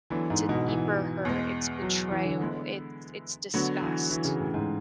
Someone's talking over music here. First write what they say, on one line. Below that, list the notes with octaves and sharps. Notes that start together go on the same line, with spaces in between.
it's a deeper hurt, it's betrayal, it's it's disgust.
D3 E3 F#3 B3 D4
G#2
B2
E3
E2 B2 G#3
F#3
E3
D3
D3 G#3 B3 E4
D3 F#3 B3 F#4
E3
E3
C#3
A2
G#2